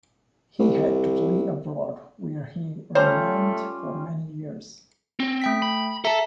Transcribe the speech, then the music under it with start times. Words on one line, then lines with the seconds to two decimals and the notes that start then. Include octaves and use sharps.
He had to flee abroad where he remained for many years.
0.59 C2
2.95 G3 A3 C#4 F4 C5 C#5 A#5
5.20 C4
5.42 A3 G5 B6
5.62 B5
6.05 A4 E5 A5 A#5 B6